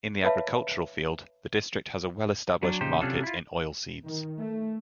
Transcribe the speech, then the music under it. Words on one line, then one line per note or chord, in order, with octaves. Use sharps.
In the agricultural field, the district has a well established market in oilseeds.
B4 C#5 E5 F5 A5 B5
F#3 D4
A#2 C#3 D#4 G4 C5
C3 F#3 C#4 D4 F4 A4
E4 F4
D#3
A3